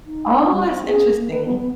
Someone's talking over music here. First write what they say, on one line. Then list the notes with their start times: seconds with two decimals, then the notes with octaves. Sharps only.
Oh, that's interesting.
0.06 D#4
0.39 D4
0.52 G3
0.69 C4
0.86 G#4
1.19 A#3
1.31 B4
1.46 B3
1.58 B3